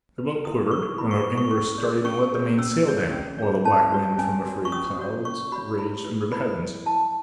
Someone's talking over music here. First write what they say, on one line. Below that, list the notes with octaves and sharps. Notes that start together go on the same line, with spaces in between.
The boat quivered, and the angler started and let the main-sail down, while the black wind from the frayed clouds raged under the heavens.
B4
E4 D#6
B4 C#6
E4 B5
C#6
B4
C#6
C#4 C#6
G#4 C#5
C#4 C#6
G#4 C#5
C#4 E6
G#4 C#5
C#4
G#4 C#5
C#4 A5
F#4 C#5
C#4 G#5
F#4 C#5
C#6
C#4 D#6
F#4 C#5
C#4 C#6
F#4 C#5 B5
E4 B5
B4
E4 B5
B4
E4 A5